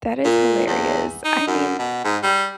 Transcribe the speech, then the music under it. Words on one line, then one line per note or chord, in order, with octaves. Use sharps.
That is hilarious. I mean,
A#2
E2
D#4
F#2
B2
G#2
G3